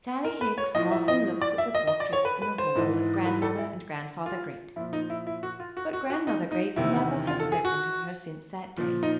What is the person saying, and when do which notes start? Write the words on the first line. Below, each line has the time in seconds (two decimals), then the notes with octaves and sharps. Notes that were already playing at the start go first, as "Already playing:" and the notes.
Sallie Hicks often looks at the portraits in the hall of Grandmother and Grandfather Great, but Grandmother Great never has spoken to her since that day.
0.24 A#4
0.41 B4
0.58 C#5
0.75 A2 F3 D#5
0.91 E5
1.08 D#5
1.41 D5
1.58 E5
1.75 D#5
1.87 D#5
2.00 D5
2.13 C#5
2.25 B4
2.42 B4
2.58 C5
2.75 G#2 E3
3.26 B4
3.42 A4
3.58 E4
4.26 F4
4.76 F3 E4
4.79 A#2
4.93 D#4
5.10 E4
5.27 E4
5.43 F#4
5.60 F4
5.77 F#4
5.93 F#4
6.10 F#4
6.27 D#4
6.52 D#4
6.76 E2 C3 D#3 E4
7.27 F4
7.40 A4
7.52 G#4
7.65 F#4
8.77 A#2 F3
9.03 D#4